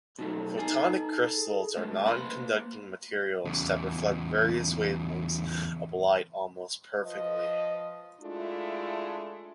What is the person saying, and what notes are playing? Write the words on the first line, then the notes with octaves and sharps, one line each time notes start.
Photonic crystals are non-conducting materials that reflect various wavelengths of light almost perfectly.
B2 F#3 A3 D#4
D#4 A4 G#5
G#4
D3 G#3 A3 B4
A#3 B5 C6
E2 C#3
F3 B4 D#5
G#3 A3 D4 E4 F4